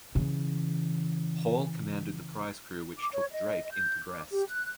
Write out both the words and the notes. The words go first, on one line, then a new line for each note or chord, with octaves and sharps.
Hall commanded the prize crew which took "Drake" into Brest.
C#3 E3
D6
C#5
D#5
G6
D6
G4
F#6